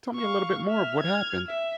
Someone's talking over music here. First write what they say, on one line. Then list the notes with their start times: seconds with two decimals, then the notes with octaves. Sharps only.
tell me a little bit more of what happened.
0.15 F5 C#6
0.67 E5 F6
1.00 F6 G#6
1.47 E5